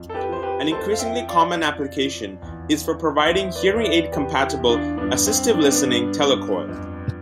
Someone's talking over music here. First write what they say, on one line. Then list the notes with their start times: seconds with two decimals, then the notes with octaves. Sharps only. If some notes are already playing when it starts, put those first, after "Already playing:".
An increasingly common application is for providing hearing aid-compatible "assistive listening" telecoil.
Already playing: F2
0.09 A4
0.14 G4 B4
0.29 F3 C5
0.43 G4 B4
0.71 F2 A4 C5
0.92 F5
0.99 E5 G5
1.13 F3
1.28 D5 F5
1.56 F2
1.98 F3
2.42 E2
2.84 E3
3.18 F5
3.27 E2 C5 E5
3.55 B4 D5
3.70 E2
3.77 E5
3.84 B4 D5
4.12 E2 G4 B4
4.41 E4 G4
4.55 E2
4.69 D4 F4
4.97 G2 B3 D4
5.26 C4
5.40 G2
5.54 D4
5.62 C4
5.71 B3 D4
5.82 G2
6.26 G2
6.68 F2